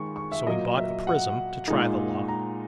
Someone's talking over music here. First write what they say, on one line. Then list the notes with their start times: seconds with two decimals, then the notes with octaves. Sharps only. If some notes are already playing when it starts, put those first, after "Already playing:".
So he bought a prism to try the law.
Already playing: D#3 G#3 C#6
0.16 C#6
0.32 E5
0.46 A#2 F#3 A#3 D#5
0.77 E5
1.07 F#5
1.68 A#2 G#3 D#4
2.28 A#5